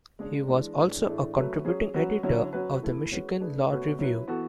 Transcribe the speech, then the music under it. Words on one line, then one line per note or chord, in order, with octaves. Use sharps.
He was also a contributing editor of the "Michigan Law Review".
C#3 G#3 D4 G#4
E3 G#3 D4
A2 G#3 D4 G#4 B4
A2 E3 A3 D4 G#4
F#3 A3 C#4 F#4 B4
F#3 C#4 G#4
F#3 C#4 F#4 B4
D3 F#3 C#4 E4
F#3 C#4 F#4 B4
E3 A3 E4 B4
G#3 C#4 F#4 B4
A3 D4 G#4 B4
B2 A3 C#4 F#4 B4
F#3 C#4 E4 B4
E3 B3 F#4 A4